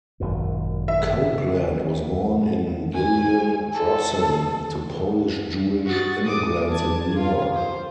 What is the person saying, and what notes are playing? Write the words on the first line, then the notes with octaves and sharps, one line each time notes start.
Copeland was born Lillian Drossin to Polish Jewish immigrants in New York.
G#1 F#2 A#2
E5
G#5
A4
F#4 A6
D6 D#6
A5 G#6
F4 F5
C5